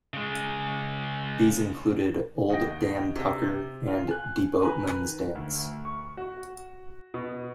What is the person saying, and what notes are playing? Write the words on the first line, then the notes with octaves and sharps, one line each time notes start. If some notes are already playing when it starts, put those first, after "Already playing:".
These included "Old Dan Tucker" and "De Boatman's Dance".
C#3 G#3
D#2 D#5 F#5 G5 A#6
C3
F4
G#5 F#6
B4 G#5 A#5
D#3
D2
C#6
F#4
B2